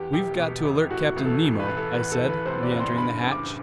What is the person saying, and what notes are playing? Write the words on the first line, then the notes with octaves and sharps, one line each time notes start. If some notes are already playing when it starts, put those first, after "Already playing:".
"We've got to alert Captain Nemo," I said, reentering the hatch.
Already playing: E2 G4
E1 G4
B2
E1
A2 F#4
A1
A4
E3
B4
A1
A4
E2 B4
A4
E3
B4
C3 C5
D5
F#1
C6
G2 B5
A1
D6